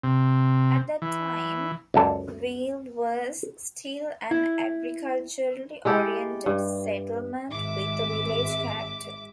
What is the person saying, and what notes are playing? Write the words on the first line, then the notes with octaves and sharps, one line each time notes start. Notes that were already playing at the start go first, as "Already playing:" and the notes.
At that time, Wiehl was still an agriculturally oriented settlement with a village character.
C3
E3
C#2 F#2 A4 D5
E4
G#3 E4 G4 A4
G2
G#1 G#3 E5 D6